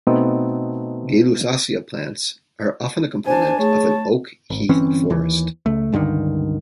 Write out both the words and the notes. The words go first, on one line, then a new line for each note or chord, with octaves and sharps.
"Gaylussacia" plants are often a component of an oak-heath forest.
B2 A3 B3 C4 D#4 A4
D4 C5 G#5 A5
A3 G#4 C#5 A5
G#1
G1 E3 C4 C#4
D#2 E3
C#2 A3
C#2 G2 D3 D#3